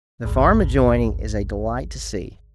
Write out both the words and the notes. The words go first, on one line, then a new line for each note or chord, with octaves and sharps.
The farm adjoining is a delight to see.
G#1 D2